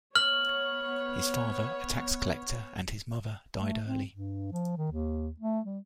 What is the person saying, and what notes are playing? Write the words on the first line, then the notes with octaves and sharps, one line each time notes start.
His father, a tax collector, and his mother died early.
B3 C#5 F6 F#7
A3
C4
G2
F3
D#3
D#2
A3
G3